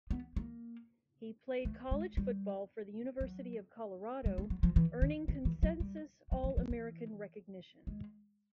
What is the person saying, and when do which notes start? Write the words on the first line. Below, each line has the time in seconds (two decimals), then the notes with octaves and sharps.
He played college football for the University of Colorado, earning consensus All-American recognition.
0.11 B3
0.36 A#3
1.65 A3
1.91 G#3
2.17 G3
3.21 F#3
4.26 G3
4.38 G#3
4.50 F#3
4.63 F3
4.76 E3
5.02 D#3
5.28 D#3
5.45 E3
5.63 F#3
5.80 G3
6.32 F#3
6.44 F3
6.57 F3
6.70 E3
7.87 G#3